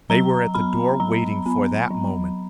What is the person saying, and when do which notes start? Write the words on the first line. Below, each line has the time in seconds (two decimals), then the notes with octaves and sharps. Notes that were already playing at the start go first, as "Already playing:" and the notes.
They were at the door waiting for that moment.
0.10 F#3 A#5
0.55 B3 B5
1.00 F#3 A#5
1.46 B3
1.90 F#3